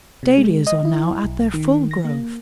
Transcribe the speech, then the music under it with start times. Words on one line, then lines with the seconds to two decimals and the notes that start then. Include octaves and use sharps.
Dahlias are now at their full growth.
0.23 C3
0.38 G#3
0.67 D#5
0.85 E4
1.24 B1
1.54 D#3
1.91 A#6
2.05 A#3